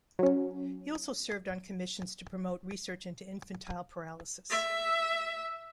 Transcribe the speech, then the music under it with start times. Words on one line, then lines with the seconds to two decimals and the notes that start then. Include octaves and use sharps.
He also served on commissions to promote research into Infantile Paralysis.
0.19 F#3 C#4
4.51 E5